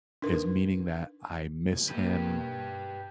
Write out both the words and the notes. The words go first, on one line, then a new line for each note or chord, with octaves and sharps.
is meaning that I miss him,
D4 D#4 A#4 B4 C6
B2 A#3 G4 B4
G2